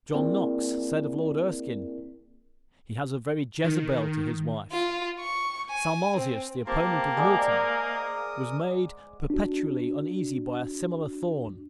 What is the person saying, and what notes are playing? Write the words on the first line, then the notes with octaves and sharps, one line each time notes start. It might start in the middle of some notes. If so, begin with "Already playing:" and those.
John Knox said of Lord Erskine, "He has a very Jezebel to his wife." Salmasius, the opponent of Milton, was made perpetually uneasy by a similar thorn.
A#3 C4 E4 G#4 A#4 D5
D#3
F4
C#6
G#5
C4
A#3 C4 G4 C5 A5
G#3 D5 F#5
A#4 D#6
D4 F#4